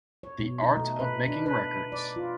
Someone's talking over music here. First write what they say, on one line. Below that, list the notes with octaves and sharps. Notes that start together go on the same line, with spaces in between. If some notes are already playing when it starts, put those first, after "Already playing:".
The Art Of Making Records.
C#5
B2
D#4
A3
B4
D4
B4
D5
F4